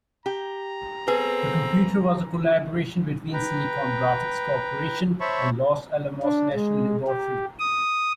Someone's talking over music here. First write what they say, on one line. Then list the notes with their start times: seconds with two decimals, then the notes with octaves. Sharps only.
The computer was a collaboration between Silicon Graphics Corporation and Los Alamos National Laboratory.
0.26 G4 A#5
1.08 B3 C4 G#4 A4 B4
3.33 B4 G5 A#5
5.21 C5 C#5 E5 A5 B5 C#6
6.23 D4
6.53 G#3
7.07 G4
7.59 D#6